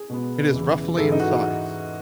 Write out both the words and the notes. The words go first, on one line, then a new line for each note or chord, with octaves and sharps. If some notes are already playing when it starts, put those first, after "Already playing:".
It is roughly in size.
Already playing: G#4
B2 G#3 B3
E2 C#3 E3
G#2 E3 G#3 A4
D#4
F#4